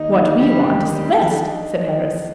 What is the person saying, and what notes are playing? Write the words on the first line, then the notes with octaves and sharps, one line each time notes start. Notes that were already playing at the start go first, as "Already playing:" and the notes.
"What we want is rest," said Harris.
Already playing: D#2 D#4
D3
G3
D#2 D4
G3
D#2